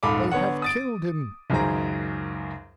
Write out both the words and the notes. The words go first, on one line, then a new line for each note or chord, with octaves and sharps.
They have killed him!
D#1 G#2 A4 F5 B5 D6
D3 B3 C#5 F#5
D#6 A6 D7
C#2 F#2 D#3 G#4 C5 A#5